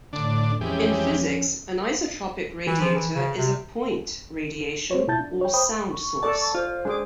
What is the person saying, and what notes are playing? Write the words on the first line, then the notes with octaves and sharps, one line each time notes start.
In physics, an isotropic radiator is a point radiation or sound source.
A2 D3 D4
F2 E3 G#3 C#4 G4
E3
F3
E3
C#3
C3
C4 C5 C#5
B2 E4 F4 A5 G6 A6
D4
C#5 G5
C5 G5 B5 D#6
C#6
A4 D5 A5
F4 C5
G#3 D4 G#4 D6